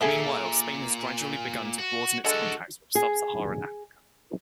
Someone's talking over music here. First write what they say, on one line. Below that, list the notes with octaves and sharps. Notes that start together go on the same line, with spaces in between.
Meanwhile, Spain has gradually begun to broaden its contacts with Sub-Saharan Africa.
A#2 G#4 A4 E5
F#4
G#3 D4 F#4 A4
G#4